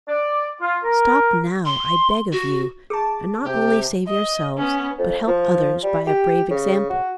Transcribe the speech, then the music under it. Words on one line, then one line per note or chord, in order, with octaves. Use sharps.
Stop now, I beg of you, and not only save yourselves but help others by a brave example.
D5
F4
A#4
C6
F#4
G#4 A5 D6
C3 G4
D#5
B3 C#4
F2
F3
G3
G4
C#3
F#4